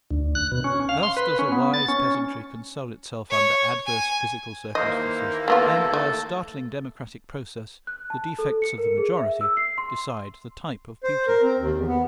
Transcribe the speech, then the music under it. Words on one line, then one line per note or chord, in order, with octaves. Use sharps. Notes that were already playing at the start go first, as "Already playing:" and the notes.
Thus does a wise peasantry console itself under adverse physical circumstances, and, by a startling democratic process, the defects of the majority decide the type of beauty.
D2
F#6
B2
C#4
F5
C6
B4
C#4
B3
A6
C#4
C#5
G#5
D#2 E3 A#3 C5 D#5
A3 B3 F4 A4
A3
F#6
A5
A4
C#7
A#4
G#4
E5
E6
C7
C6
C5
A#4
C4
D#2
E2
B3